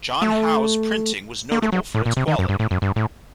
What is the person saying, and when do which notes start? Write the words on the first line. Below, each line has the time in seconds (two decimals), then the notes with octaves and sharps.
John Howe's printing was notable for its quality.
0.22 A3
1.52 A#3
1.62 A3
1.72 F#3
1.95 A2
2.06 A#2
2.17 C3
2.28 D#3
2.39 F#2
2.49 G2
2.60 A2
2.71 F#2
2.82 G2
2.96 A2